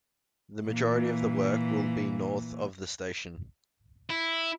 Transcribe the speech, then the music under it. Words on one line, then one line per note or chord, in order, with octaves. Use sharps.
The majority of the work will be north of the station.
A#2 E3
E4